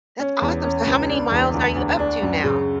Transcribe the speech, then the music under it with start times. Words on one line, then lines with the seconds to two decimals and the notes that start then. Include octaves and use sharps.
That's awesome. So how many miles are you up to now?
0.19 C#4
0.42 E2
0.64 C#4
0.86 C#2
1.09 D4
1.32 E2
1.54 D2
1.76 D2
1.99 D4
2.22 F#2
2.44 C#3